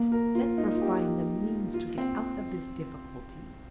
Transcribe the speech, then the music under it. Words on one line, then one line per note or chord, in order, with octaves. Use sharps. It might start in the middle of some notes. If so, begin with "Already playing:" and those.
Let her find the means to get out of this difficulty.
Already playing: A#3
A#4
F4
D#4
F4
G4
F4
C4